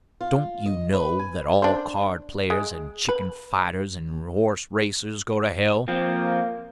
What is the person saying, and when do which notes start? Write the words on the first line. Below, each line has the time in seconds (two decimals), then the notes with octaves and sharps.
Don't you know that all card-players and chicken-fighters and horse-racers go to hell?
0.21 F4
0.66 D#5
0.94 B4
1.19 G#5
1.62 D4 C5
2.50 G#3
3.09 B4
5.88 F3 A#3 C4